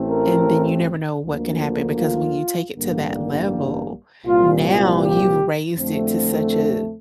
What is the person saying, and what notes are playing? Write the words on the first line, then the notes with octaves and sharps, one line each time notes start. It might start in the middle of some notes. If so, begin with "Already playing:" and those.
and then you never know what can happen because when you take it to that level, now you've raised it to such a
Already playing: A1 A2 A3 C4
A#4
D2 D3 F3 A#3
F4
A1 G2 D3 G3 A#3
C2 A#2 G3 F4
G4
F2 D3 A3 C4
A4